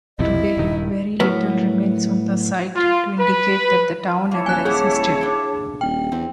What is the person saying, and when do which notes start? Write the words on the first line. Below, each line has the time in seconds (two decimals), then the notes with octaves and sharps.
Today, very little remains on the site to indicate that the town ever existed.
0.19 B1 F2 C3 E4 D#5
0.57 D#1 G2 D#3
1.20 A2 F#3 B3 A#4 B4
2.76 F4
3.19 B4
4.31 A#3 E4 C#5 A5
4.46 D#1 G#5 F#6
4.65 G#3 A#3 G4 G#4
5.21 D4 G5
5.81 D#1 G5
6.12 E2 C4